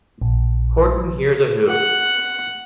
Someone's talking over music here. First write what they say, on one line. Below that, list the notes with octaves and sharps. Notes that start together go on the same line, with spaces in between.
Horton Hears a Who!
A#1
F#5